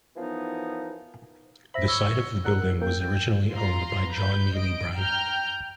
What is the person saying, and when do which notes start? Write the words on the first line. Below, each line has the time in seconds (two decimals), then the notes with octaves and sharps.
The site of the building was originally owned by John Neely Bryan.
0.16 F#2 E3 F3 B3 D#4
1.74 C5 E5 B5 A#6 B6
1.88 C#5 E6 G7
2.45 D3 A#4 F#5
2.81 A#3 G5
3.00 G5
3.54 F4 A#5 C6
4.08 B4 G6
4.56 D#5 D7
4.97 G5 A#5 F6 G6